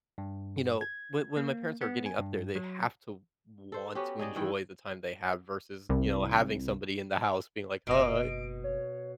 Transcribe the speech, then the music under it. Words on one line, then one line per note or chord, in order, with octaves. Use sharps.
you know, when when my parents are getting up there, they have to want to enjoy the time they have versus, you know, having somebody in the house being like, "Hi,
G2
G#6
A#3
B3
G#5
G2
F#3
A4 C5
B3 C#4 F#4 G4
D#4 G#4 D5 D#5
D#3 E3 E4 G5
C2
F#1 B2 D#4 D#5 D7
C#5